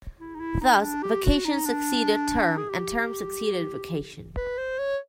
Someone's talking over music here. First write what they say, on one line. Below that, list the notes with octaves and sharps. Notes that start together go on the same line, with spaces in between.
Thus, vacation succeeded term, and term succeeded vacation.
E4
D#4
E4
D#4
C#4
D4
G4
F#4
D#4
D4
G#4
G4
B4
C5
C#5